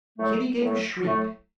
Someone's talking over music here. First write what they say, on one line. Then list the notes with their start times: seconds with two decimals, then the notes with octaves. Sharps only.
Kitty gave a shriek.
0.18 A2 F#3 A3
0.61 A2 F#3 A3
1.04 A2 F#3 A3